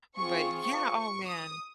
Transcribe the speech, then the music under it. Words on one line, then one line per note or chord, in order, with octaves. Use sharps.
But yeah, oh, man.
C4 F4 G#4 C#6
C#6
C#6
D#6